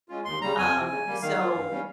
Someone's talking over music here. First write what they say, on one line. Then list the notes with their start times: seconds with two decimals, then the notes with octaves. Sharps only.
um, so,
0.09 G#3 C#4 F4
0.25 D#2 C6
0.41 C#3 G3 A#5
0.57 F2 G#5
0.74 C3 F3 C4
0.89 C#3
1.06 G3 A#3
1.22 D#3 F5
1.39 A#3 F4
1.54 G2
1.70 G3 C#4